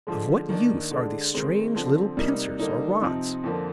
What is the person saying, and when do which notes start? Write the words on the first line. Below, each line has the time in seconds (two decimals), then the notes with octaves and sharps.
Of what use are these strange little pincers or rods?
0.07 D3 F3 G#3
0.49 D#3 A#3 D4
0.91 D3 G#3 D4
1.34 D#3 G#3 C4
1.76 D3 F3 C4
2.17 C3 G3 A#3 D#4
2.59 D3 G3 A#3 D#4
3.02 C3 F3 C4 D#4
3.44 F2 D3 F3 A#3